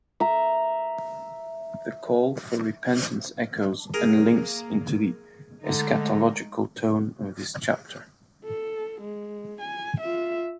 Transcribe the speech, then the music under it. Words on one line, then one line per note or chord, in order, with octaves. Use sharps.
The call for repentance echoes and links into the eschatological tone of this chapter.
E5 A#5
A#3 G#4 A#4
D3 G#3 A3 D#4
A4
G#3
G#5
F4 E5